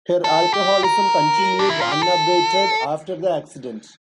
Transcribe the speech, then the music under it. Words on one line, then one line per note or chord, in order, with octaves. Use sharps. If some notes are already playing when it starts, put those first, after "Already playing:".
Her alcoholism continued unabated after the accident.
A4
G4
A#4
D4
E4
F4
G4
A4